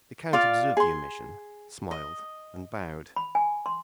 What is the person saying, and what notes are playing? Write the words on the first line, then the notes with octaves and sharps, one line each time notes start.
The count observed the omission, smiled, and bowed.
F4 D5 F5
G#4 C6
D#5
B5
G#5
C6